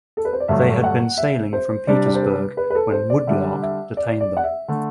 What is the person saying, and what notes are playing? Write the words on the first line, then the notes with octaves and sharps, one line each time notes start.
They had been sailing from Petersburg when "Woodlark" detained them.
A4
B4
C5
D5
G2 D3 F#3 A3 E5
F#5
E5
C5
C3 G3 D4 D5
D5
C5
B4
B4
B4
A4
C5
D5
D3 G3 D4 E5
E5
D5
D5
F#5
E5
D3 A3